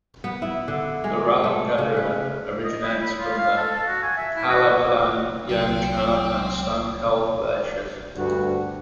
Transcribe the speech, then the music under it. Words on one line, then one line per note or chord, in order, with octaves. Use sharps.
The Ralam Gad River originates from the Kalabaland, Yangchar and Sankalp glaciers.
B3
E4
D3
G#3
A3
C#3
B4
D#5
E4
B5
F4
F5
A4
A4
F#4
G#5
E5
E4
F#4
C2 F#3 C4 G5
D2 G2 F#4